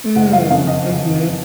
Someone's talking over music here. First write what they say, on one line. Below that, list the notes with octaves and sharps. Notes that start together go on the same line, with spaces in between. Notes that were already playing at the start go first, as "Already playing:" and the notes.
Mm, mhm.
F#1 F#5
F5
F2 C#3 F5
D#5